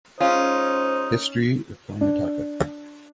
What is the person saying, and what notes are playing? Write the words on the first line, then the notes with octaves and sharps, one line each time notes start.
History of Karnataka.
G#3 C#4 D#4 F4 C5
D4